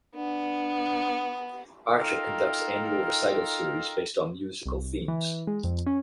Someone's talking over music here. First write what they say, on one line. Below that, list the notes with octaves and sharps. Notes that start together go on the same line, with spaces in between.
Archer conducts annual recital series based on musical themes.
B3 D4
D#4 F4 A4 A#4 F5 G5
C2
E3
G#3
F2
C#4